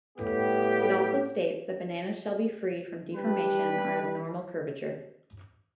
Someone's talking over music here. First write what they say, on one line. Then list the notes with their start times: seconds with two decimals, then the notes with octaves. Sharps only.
It also states that bananas shall be free from deformation or abnormal curvature.
0.17 A2 G3 B3 G4
3.15 G3 D4 G4 B4